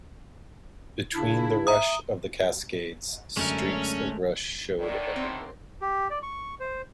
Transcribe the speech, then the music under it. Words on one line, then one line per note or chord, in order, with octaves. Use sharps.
Between the rush of the cascades, streaks of rust showed everywhere.
C#3 D4 E4
E5 A#5 D#6
F#2 D3 G#3 A3 C#4 A#4
A2 D3 D#3 D5
C4 C5
G4
D5
C#6
C5